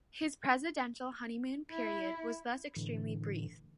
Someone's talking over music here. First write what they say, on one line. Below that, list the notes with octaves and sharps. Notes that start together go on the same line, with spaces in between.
His "presidential honeymoon" period was thus extremely brief.
E4
A2 D3 E3